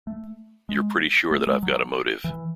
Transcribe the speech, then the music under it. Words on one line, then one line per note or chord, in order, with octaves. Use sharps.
You're pretty sure that I've got a motive.
A3
G#3
A3
G#3
F#3
E3